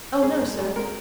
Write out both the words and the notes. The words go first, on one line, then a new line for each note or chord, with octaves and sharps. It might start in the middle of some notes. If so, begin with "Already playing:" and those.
Oh, no, sir!
G#2 G#4
G#2
G#2
G#3 A#4